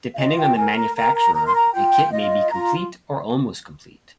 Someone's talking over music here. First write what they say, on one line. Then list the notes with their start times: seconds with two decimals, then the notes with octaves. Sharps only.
Depending on the manufacturer a kit may be complete or almost complete.
0.14 F5
0.18 F4 D#5
0.38 G5
0.57 A#4 G#5
0.76 A#5
0.96 A#4 A#5
1.16 A#5
1.35 A#4 A#5
1.46 C6
1.54 A#5
1.73 F4 G5
2.12 F4 D#5
2.51 F4 A#5